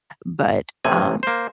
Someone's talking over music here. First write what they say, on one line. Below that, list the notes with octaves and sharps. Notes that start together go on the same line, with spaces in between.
but, um,
A1 A2 C3 G#5
A#3 C5